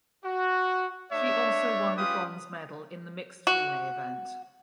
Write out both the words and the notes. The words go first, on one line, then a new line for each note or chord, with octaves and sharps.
She also won the bronze medal in the mixed relay event.
F#4
A3 D4 C#5 E5
C#4 F4 G4 B4 D#6
F#4